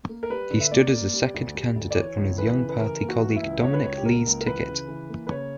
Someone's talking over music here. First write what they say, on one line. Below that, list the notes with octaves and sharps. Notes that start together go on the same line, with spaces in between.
He stood as a second candidate on his young party colleague Dominic Lee's ticket.
A#3
A#4
G3 B4
D3
E5
A#3 D5
A#3
G3
D2
G3
D2
D5
E3 C#5
C#2
E3 B4
C#3
B4
E3 A#4
A#3
F#4
E3
E4
C#2
C#2 C#5
B4
C#2 C#5
G4
A#3 A#4
C#2
A#4
E3 B4
C#3
E3
A#3
B4
C#3 C#5